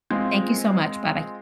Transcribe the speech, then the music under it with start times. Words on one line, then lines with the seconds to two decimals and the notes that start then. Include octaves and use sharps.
Thank you so much, bye-bye.
0.11 G#3 C4 F4